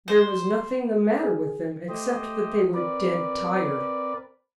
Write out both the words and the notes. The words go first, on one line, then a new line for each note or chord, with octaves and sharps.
There was nothing the matter with them except that they were dead tired.
C5
G#4
A3 G4 C5 D#5
C4 A#4 B4 D5